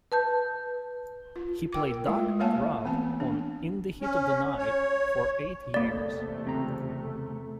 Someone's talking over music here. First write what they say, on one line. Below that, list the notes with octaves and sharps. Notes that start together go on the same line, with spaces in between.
He played "Doc" Robb on "In the Heat of the Night" for eight years.
B4 A5 G6
F4
A#4 G5 D6
G#3 A3 E4 F4
A3 A#3 C#5 F5 G#5 A5
E3 B3 C4 A5
D4
C#4
C#5
E2 C3 A3 A#3 D5
C#2 C4 A#5